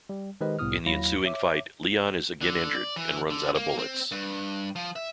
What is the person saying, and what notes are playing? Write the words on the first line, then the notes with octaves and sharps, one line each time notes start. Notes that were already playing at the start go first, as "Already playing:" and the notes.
In the ensuing fight, Leon is again injured, and runs out of bullets.
G3
D#3 G#3 G4 B4 C5 D#5
C2 A2 B3 E4 D#6 F6
D#2 F#3 E4 F5 B5 A#6
C#5 E5 D6
D3
D5
E3
D3
A#3
C4
G2
F3
E5